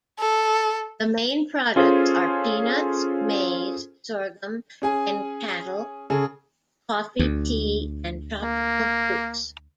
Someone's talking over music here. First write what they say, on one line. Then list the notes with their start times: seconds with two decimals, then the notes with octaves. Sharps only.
The main products are peanuts, maize, sorghum and cattle, coffee, tea and tropical fruits.
0.19 A4
1.76 C#4 F4 G#4 A4 C5
4.82 C#4 G#4 G#5
6.10 C#3 G#4 A4
7.19 D2
8.43 A#3